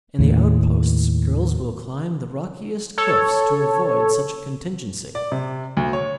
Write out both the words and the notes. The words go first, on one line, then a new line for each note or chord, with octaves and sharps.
In the outposts girls will climb the rockiest cliffs to avoid such a contingency.
D#2 A2
A4 C#5
D5
C3
D2
C#5